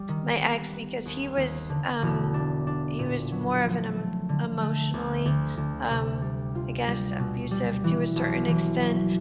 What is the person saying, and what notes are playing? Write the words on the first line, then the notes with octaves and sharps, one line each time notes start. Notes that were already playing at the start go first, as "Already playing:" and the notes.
my ex because he was, um he was more of an em emotionally, um, I guess, abusive- to a certain extent-
Already playing: G3
D#3
B3
B3
D#2
D#2
D3
E1
D4
D4
A#2
F#3
F3
A3
D3
A3
D2
D2
D2
C3
G3
F4
G3
B2
G3
E3
B1
E3
F#3